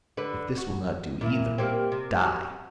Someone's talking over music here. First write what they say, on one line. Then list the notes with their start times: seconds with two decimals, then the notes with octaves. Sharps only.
If this will not do either, die!
0.17 D3 B4
0.57 F#4
1.21 A#2 E4
1.58 G3 A#3 C4
1.92 C3
2.22 F#4